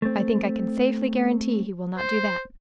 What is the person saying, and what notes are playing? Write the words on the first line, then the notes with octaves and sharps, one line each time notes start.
"I think I can safely guarantee he will not do that."
A3 C4
C5